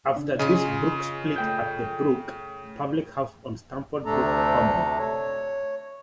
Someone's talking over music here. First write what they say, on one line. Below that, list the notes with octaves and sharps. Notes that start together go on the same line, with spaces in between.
After this the brook split at "The Brook" public house on Stamford Brook Common.
C#3 D4
C#3 F4 G#4 D#5 G#5
A3 G5 G6
D2 C3 A3 D4 A4 A#5
C#5